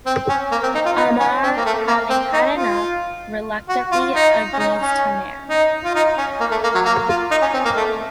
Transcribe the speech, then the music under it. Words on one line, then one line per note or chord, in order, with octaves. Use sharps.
Amar having had enough reluctantly agrees to marry.
C4
C#4
A#3
C4
D#4
F4
D#4
C#4
C4
A#3
A3
A#3
C4
D#4
F4
F#4
F4
D#4
C#4
D#4
C#4
D#4
F4
D#4
C#4
A#3
A3
A#3
F#3
A#3
F4
D#4
C#4
C4
A#3
A3